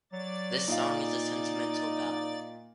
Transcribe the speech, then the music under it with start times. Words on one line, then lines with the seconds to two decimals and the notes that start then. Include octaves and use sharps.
The song is a sentimental ballad.
0.12 F#3 D5 A6
0.67 A#2 D#4 D#5 F5